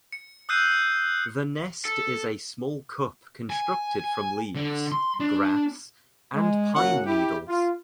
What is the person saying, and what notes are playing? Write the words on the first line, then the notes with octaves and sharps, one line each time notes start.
The nest is a small cup constructed from leaves, grass, and pine needles.
C#7
D#6 E6 F#6 G6 C7 D#7
A4
G#5
D3
C6
D4
G#3
C#3 A#3 C#4 F#4 F#5
E4 G4
F4